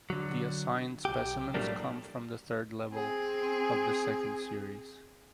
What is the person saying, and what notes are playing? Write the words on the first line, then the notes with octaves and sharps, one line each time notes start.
The assigned specimens come from the third level of the second series.
D3 F#3
B1 G4
A2 F#3 G3 A3 A#3 D4
C4 G#4